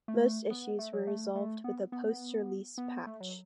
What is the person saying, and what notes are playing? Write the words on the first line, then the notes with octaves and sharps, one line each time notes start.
Most issues were resolved with a post-release patch.
A3
B3
A3
F#3
A3
A3
B3
B3
B3
A3
F#3